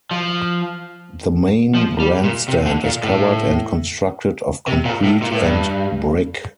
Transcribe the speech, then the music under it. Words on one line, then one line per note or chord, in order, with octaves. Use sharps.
The main grandstand is covered and constructed of concrete and brick.
F3
F3
G3
A#2
C3
D3
A#2
A2
C3
A#2
A2
A#2
A2
G2